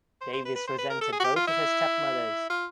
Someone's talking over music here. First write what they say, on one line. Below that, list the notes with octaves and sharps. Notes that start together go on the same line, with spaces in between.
Davis resented both of his stepmothers.
C5
C5
B4
B4
C5
B4
A#4
A4
G#4
F#4
G4
F4
E4
F4